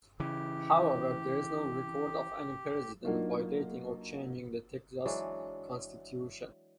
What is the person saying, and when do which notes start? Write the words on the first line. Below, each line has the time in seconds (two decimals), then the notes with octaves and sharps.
However, there is no record of any president violating or changing the Texas Constitution.
0.20 C#3 E3 G4
3.05 F#3 A#3 D4 D#4 F4
5.06 E3 F#3 G#3 D4